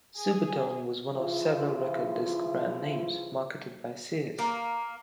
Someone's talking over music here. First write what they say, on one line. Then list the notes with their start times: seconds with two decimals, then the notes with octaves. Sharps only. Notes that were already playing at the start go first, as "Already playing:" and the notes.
Supertone was one of several record disc brand names marketed by Sears.
0.17 G#4
1.16 C#3 E3 F3 E4 F4
4.39 A#3